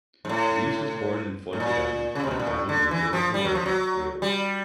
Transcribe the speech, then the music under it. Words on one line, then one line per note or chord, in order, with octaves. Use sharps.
Rees was born in Fontegary, near Barry in the Vale of Glamorgan, Wales.
G#2
A2
A2
A#2
C#3
C3
B2
A#2
A2
D3
E3
F3
G3
F#3
F3
F#3
G3